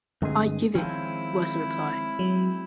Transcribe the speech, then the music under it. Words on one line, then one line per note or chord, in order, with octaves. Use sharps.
"I give it," was the reply.
G2 D3 G#3 C4 G#4
D#3 F3 G#3 C4 C#4 E4
F#3